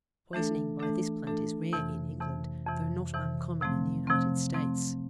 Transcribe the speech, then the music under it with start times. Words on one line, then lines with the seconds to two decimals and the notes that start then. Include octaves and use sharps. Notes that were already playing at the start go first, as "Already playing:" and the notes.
Poisoning by this plant is rare in England, though not uncommon in the United States.
0.33 E3 A3 D4 A4
0.79 E3 A3 D4 A4
1.27 E3 A3 D4 A4
1.73 F2 C3 E3
2.20 F2 C3 E3
2.67 F2 C3 E3
3.13 F2 C3 E3
3.61 C3 F3 A3 C4
4.07 C3 F3 A3 C4
4.54 C3 F3 A3 C4